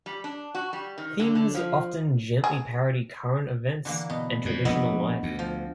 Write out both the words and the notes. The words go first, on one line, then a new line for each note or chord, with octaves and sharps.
Themes often gently parody current events and traditional life.
G3
D4
F#4
G3
D#3
D3
D3
F3
G#4
D3 E3 A#3
B2
F2 A#2
A#1 G2 B3 E4 D#5
D2
F3